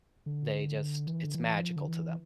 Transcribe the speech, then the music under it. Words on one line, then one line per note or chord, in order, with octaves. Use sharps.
they just it's magical to them,
D3
E3
D3
E3
F3
D3
E3